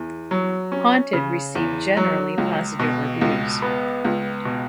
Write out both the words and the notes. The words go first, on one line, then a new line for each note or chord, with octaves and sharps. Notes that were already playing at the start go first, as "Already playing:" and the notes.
"Haunted" received generally positive reviews.
Already playing: E2
F#3
C#4
C#3
E2
F#3
C#2
B2
C#2
B3
C#2
B2